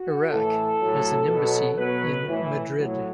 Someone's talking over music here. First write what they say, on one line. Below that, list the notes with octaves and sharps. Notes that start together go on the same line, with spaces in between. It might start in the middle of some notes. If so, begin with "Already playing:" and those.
Iraq has an embassy in Madrid.
Already playing: F#4
A2 E3 A4
A2 F#3
B2 F#3
B2 F#3 B4
A2 E3
A2 F#3